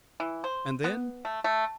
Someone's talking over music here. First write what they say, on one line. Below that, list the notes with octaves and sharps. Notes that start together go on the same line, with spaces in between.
"And then?"
E3
C5
B3
A3
A3